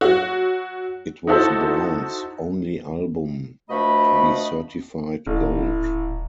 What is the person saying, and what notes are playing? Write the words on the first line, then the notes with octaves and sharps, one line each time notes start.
It was Brown's only album to be certified gold.
F#3 F#4
D#4 E4 F#4 A4 C5
B2 F3 A3 D4 D#5 B5
D#1 A1 E4